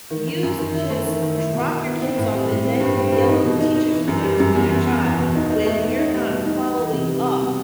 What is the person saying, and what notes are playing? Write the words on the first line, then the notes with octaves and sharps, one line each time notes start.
you just drop your kids off, and then you yell at the teachers for not doing their job when you're not following up
D#3
D#3
F#2
D#3
E4
A3
D#3
D#3
E4
B2
E4
B3
C4
A2
G3
A2
C4
G2
C4
G2
D#4
B2
D#4
D#4
E3
F#2
G3
F#2
E2
E2
E2
E2
B2
D#4
D#4
A3
B3
D#4
G3
B2
D#4
D#4
E3
C3
G3
G3
B2